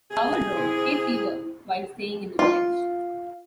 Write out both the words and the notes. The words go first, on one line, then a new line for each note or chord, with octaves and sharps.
Coward wrote "Hay Fever" while staying in the village.
C3 G#4
E4 C5
F4